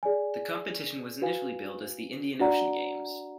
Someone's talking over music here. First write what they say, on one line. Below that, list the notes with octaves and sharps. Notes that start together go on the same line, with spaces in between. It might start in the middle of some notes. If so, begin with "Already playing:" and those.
The competition was initially billed as the Indian Ocean Games.
G#4 D5 G#5
F#4 B4 F5 G#5
D4 F#4 D5 F#5 A#5